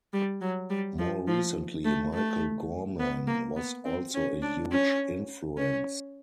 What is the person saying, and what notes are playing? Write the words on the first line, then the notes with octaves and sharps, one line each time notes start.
More recently Michael Gorman was also a huge influence.
G3
F#3
G3
F3
F3
A3
A3
B3
A#3
B3
C4
C#4
D4
C#4
C#4